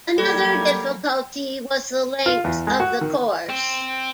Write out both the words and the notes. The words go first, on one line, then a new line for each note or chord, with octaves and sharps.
Another difficulty was the length of the course.
F#3 G3 A#3 A4 G#6
F4
E2
G#3
F#4
D#3
C4